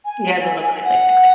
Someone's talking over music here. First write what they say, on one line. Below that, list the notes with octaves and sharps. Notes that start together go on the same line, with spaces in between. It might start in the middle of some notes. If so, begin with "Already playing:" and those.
Yeah, the little click, click, click, click.
G#5
F#5